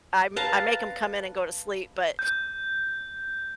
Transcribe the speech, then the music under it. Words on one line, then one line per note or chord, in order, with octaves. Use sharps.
I m I make 'em come in and go to sleep, but,
B4 F5 A5 A#5
G6